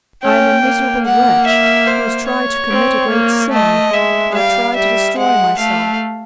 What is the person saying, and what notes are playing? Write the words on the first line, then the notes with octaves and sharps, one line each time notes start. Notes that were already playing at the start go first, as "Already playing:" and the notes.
I am a miserable wretch who has tried to commit a great sin--I have tried to destroy myself.
C#4 G5
A#3
F#5
E5
C5
C#5
C4
A#3
A3 D#5
G#3 E5
G3 F5
G3 E5
G#3 F#5
A3 F5